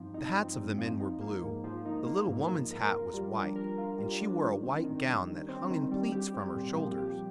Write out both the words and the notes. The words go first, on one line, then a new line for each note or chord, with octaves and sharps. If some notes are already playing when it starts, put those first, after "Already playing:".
The hats of the men were blue; the little woman's hat was white, and she wore a white gown that hung in pleats from her shoulders.
Already playing: G2 F3 C4 D#4
D#4
C4
G2
F3
D#4
A#3
G#2
F3
D#4
A#3
G#2
F3
A#4
F4
G3
D4
A#4
F4
G3
D4
D#3
C4
D#3
G3
D#3
C4
D#3
G3
G4
C4
A#2
F3
G4